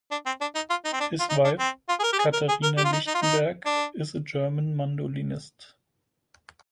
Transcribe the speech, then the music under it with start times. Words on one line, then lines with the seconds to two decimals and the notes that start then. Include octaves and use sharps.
His wife, Caterina Lichtenberg, is a German mandolinist.
0.11 D4
0.26 C4
0.41 D4
0.55 D#4
0.70 F4
0.85 D#4
0.93 C4
1.00 D4
1.20 F4
1.30 D#4
1.44 D4
1.59 C4
1.89 F4
1.99 G#4
2.03 A#4
2.13 G4
2.18 G#4
2.33 A#4
2.48 G#4
2.63 A#4
2.77 G4
2.85 F4
2.92 D#4
3.07 D#4
3.14 F4
3.22 D#4
3.65 D4